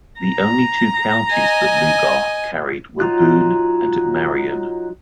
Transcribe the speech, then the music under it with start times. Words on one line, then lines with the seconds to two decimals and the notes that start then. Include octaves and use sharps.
The only two counties that Lugar carried were Boone and Marion.
0.21 A#5
1.31 D#5 G#5
3.00 F#3 D#4 F4 F#6